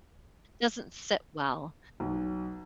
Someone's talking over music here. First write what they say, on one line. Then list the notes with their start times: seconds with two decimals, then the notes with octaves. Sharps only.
doesn't sit well,
2.00 B1